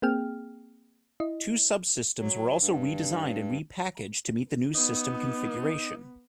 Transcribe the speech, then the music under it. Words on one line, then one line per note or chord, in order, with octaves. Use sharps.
Two subsystems were also re-designed and re-packaged to meet the new system configuration.
A#3 C4 G#4 G5 F6
E4 D#5
F#3
G2
B3 D#4